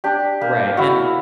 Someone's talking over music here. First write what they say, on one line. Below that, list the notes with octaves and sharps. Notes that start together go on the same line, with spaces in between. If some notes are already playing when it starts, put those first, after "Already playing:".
Right, and,
D4 G4
A#3
E4 F#4